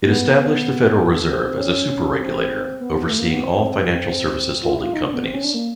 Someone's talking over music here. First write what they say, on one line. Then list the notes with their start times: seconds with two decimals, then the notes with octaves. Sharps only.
It established the Federal Reserve as a superregulator, overseeing all Financial Services Holding Companies.
0.06 B3
1.28 C4
1.58 C#4
2.20 C4
2.80 B3
3.09 A3
3.19 A#3
3.30 B3
3.42 C4
4.63 F4
4.73 E4
4.83 F4
4.93 D#4
5.03 D4
5.14 B3
5.24 C4
5.34 C#4
5.44 D4
5.54 A#3